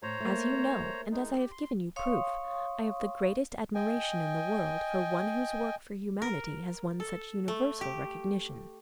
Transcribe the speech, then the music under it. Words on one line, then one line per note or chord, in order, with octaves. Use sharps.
As you know, and as I have given you proof, I have the greatest admiration in the world for one whose work for humanity has won such universal recognition.
A2 C5 C#5 A#5
A3 A#3
G#3 D#4
G4
C6
C#5 F5 C6 C#6 D#6
D#5 G5 G#5
A#4
A4
A3
G4